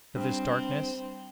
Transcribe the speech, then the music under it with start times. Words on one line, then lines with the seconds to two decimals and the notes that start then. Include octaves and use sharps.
"But this darkness?"
0.16 G2 C4